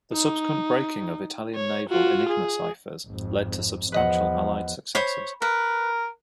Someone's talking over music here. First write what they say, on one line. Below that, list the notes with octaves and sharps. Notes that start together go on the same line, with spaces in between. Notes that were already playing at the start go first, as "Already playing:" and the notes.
The subsequent breaking of Italian naval Enigma ciphers led to substantial Allied successes.
D#4
C#5
F4 F#4
G#4
G#1 F2
E2 F3 B4 D#5 F#5
C5 C#5 B5
A#4 B4